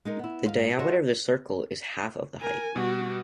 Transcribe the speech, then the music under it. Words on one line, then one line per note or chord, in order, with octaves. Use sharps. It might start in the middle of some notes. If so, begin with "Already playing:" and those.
The diameter of the circle is half of the height.
G#3 D#4 A#4
B3 E4
G#2 C5 F5
F#4 A4 C5 C#5 D#5 E5
A#4 G#5
B2 G3 F#4